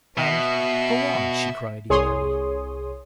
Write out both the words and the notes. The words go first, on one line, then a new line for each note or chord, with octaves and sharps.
And--'Go on,' she cried eagerly.
B2 E5
C2 G#4 C#5 C6 D#6